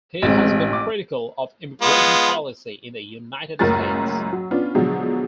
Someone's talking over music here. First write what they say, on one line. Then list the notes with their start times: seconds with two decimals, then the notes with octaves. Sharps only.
He has been critical of immigration policy in the United States.
0.22 A1 G#3 C4
0.73 D6
1.82 G#3 B3 F4
3.59 F#1 C#2 F#2 A2 A#4 A6
4.32 F#3
4.51 B3 C#4 D4 F4
4.75 B2 D3 F3 F#3 G#3